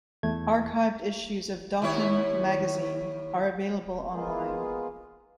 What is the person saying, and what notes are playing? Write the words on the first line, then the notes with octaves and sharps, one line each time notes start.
Archived issues of "Dothan Magazine" are available online.
E2 A3 G#6
D#2 E4 C#5
G#3 A#3 B3 F4 G#4